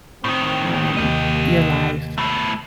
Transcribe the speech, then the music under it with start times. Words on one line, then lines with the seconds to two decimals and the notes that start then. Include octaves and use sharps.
um, your life.
0.24 A2 D#3 C4
0.97 D#2 C3 G4 D#5
2.18 A3 B3